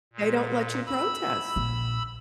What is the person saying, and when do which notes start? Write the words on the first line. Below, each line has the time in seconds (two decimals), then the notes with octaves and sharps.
They don't let you protest.
0.13 A#2
0.87 B5 E6
1.56 A#1